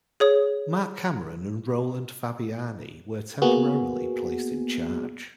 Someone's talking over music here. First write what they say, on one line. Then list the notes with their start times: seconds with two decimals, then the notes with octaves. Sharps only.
Mark Cameron and Roland Fabiani were temporarily placed in charge.
0.20 G#4 C#5 D#6
3.42 A#3 B3 F#4 G#4